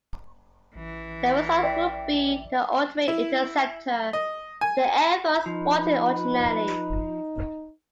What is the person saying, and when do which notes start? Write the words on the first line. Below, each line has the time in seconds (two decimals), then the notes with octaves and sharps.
The result would be the "ultimate interceptor" the Air Force wanted originally.
0.75 A1 E3
1.63 D5 E5 G5 B6
3.08 E4
4.13 D#5
4.61 G#5
5.46 F3 D#4 B4